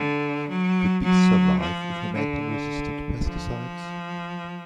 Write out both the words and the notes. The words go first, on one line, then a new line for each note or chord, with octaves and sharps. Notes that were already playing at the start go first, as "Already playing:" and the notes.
Could bees survive if we made them resistant to pesticides?
Already playing: D3
F#3
F#3
F3
D3
F3